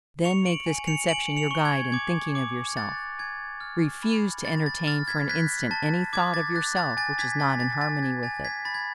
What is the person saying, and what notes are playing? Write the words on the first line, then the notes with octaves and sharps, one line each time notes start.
Then make this conception your guide in thinking of yourself; refuse to entertain for an instant any thought of yourself which is not in harmony with it.
C#6 C#7 F7
D7 F#7
G#5
C#7 F7
G#5 D7 F#7
C#7 F7
C#6
G#6
D6 G#6
D6
F#6 A6
G#5 G#6
F6
B5
B5 A6
A6
F6 A6
G#6 B6
F#6 G#6 B6
A5 A6
D6 G#6
A6
F#6 A6
A6
G#5 A6
G#6 B6
G#5 A6
A6
G#5 A6
G#6
G#5 A6
G#6 B6
B5 A6
G#6